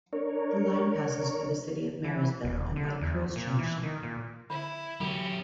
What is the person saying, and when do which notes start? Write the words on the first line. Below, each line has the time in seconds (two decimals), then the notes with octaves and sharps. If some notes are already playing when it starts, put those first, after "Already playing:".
The line passes through the city of Marysville and by Kruse Jct.
0.13 D4 A#4 C#5
2.04 E3
2.44 D#1
2.76 D3
3.01 E2
3.36 A#2
3.59 E3
3.83 D#3
4.03 A#2
4.50 D3 E4
5.01 F#2 D3 C#4 G4